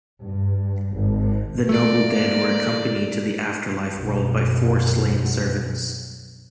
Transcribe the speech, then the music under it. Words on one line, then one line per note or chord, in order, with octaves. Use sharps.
The noble dead were accompanied to the afterlife world by four slain servants.
G2
G#1
A3 A#3 A#4 D5
B1 F#2